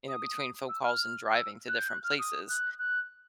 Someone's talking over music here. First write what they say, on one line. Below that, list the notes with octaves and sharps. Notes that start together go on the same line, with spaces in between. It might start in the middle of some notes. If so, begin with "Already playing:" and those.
you know between phone calls and driving to different places.
D#6
E6
F6
E6
F#6
G6
F#6
F6
D#6
F#6
F#6